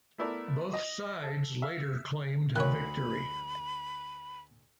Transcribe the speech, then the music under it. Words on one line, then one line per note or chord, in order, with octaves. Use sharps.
Both sides later claimed victory.
A3 B3 E4 A#4 D5
D#5
A4
E5 F5
D2 D#3 C#5 B5 F#6